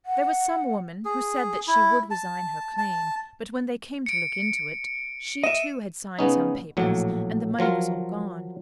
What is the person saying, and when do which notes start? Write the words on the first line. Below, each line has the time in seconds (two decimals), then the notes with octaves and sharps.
There was some woman who said that she would resign her claim; but when they came to look into it, she too had signed some papers and the money was all gone.
0.06 F#5
1.05 G#4
1.67 E4
2.11 A5
2.78 A5
4.06 C#7 D7
5.44 D#5 E5 D#7 E7
6.19 C#3 B3 C#4 D#4
6.77 A#1 A2 F#3
7.59 F3 F#3 F4 A#4